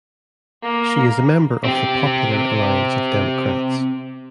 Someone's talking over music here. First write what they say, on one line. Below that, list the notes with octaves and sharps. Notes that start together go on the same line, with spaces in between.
She is a member of the Popular Alliance of Democrats.
A#3
C4 G4